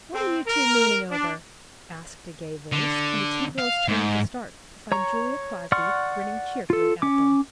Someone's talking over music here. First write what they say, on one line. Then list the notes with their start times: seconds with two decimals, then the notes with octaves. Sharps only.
"What are you two mooning over?" asked a gay voice, and the two girls turned with a start to find Julia Crosby grinning cheerfully at them.
0.14 C4
0.47 A#4
1.11 D4
2.72 D3
3.58 F5
3.88 G#2
4.92 C#5 A#5 C#6
5.72 D5 F#5 C6 C#6 F6
6.70 F4 A4
7.02 C#4 D6